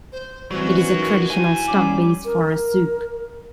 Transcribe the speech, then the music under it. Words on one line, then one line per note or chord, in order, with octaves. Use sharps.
It is a traditional stock base for a soup.
C5
E3 F#3 G3 C4 C#4 F#4
D#4 A#4
D#4 E4 G4 G#5
G3 C#4 D6
A#4